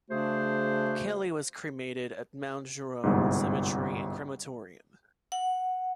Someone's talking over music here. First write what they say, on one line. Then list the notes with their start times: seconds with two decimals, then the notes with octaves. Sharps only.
Kelly was cremated at Mount Jerome Cemetery and Crematorium.
0.10 C#3 A3 D4 F#4 G#4 C5
3.03 G1 C2 G#2
5.32 F#5